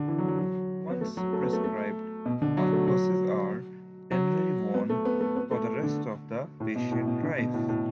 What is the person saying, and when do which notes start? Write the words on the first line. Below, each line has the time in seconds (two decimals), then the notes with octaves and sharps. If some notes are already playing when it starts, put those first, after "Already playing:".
Once prescribed, orthoses are generally worn for the rest of the patient's life.
Already playing: D3
0.08 E3
0.18 F#3
0.28 F#3
0.39 F#3
0.90 B3
1.01 A3
1.17 F#3
1.33 A3
1.43 B3
1.53 A3
1.64 A3
2.26 B2
2.42 D3
2.57 F#3
2.72 A3
2.87 F#3
4.11 F#3
4.74 B3
4.90 A3
5.05 B3
5.21 A3
5.36 B3
5.51 A3
5.83 D3
6.60 A2
6.76 B2
6.91 A2
7.07 B2
7.23 D3
7.38 B2
7.54 A2
7.69 A2